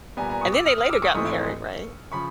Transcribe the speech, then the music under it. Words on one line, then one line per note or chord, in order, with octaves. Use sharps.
And then they later got married, right?
A#2 G3 B3 G#5 A#5
G#5 A#5
C#6 D#6
D6 E6
D#6 F6
D#6 F6
D6 E6
C#6 D#6
G#2 E3 A3 C4 C#6 D#6
C#3 F3 B5 C#6